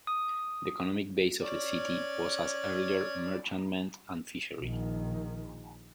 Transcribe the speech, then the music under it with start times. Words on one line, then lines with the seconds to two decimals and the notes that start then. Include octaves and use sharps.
The economic base of the city was as earlier merchantmen and fishery.
0.07 D#6
1.42 C#4 D5
4.60 A#1 D#3